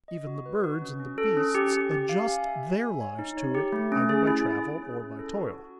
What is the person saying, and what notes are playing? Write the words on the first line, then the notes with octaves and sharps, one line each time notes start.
Even the birds and the beasts adjust their lives to it either by travel or by toil.
D#5
F#4
B4
F#4
C#4
C#4
A4
C#4
G4
G4
G4
F5
G#5
E5
E5
G#5
C#5
D#4
C#5
G4
A3
C#4
G#4
E4
G#4
G#4
C#4
E4
A4
F#4
F#4